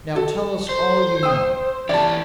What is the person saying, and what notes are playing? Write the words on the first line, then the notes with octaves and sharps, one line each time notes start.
Now tell us all you know.
F#4 A4
C5
G5 D#6 E6
E3 G4 D5 A5